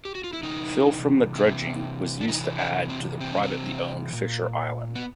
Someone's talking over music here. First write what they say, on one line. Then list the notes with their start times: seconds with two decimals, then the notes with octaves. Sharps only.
Fill from the dredging was used to add to the privately owned Fisher Island.
0.05 G4
0.15 F#4
0.24 F4
0.33 E4
0.43 C3 E3 D#4
1.35 C3 E3
2.21 D4
2.27 C3 E3 D#4
2.58 D4
2.90 C4
3.20 C3 E3 C4
3.32 C#4
3.43 C4
4.13 A#2
4.95 B3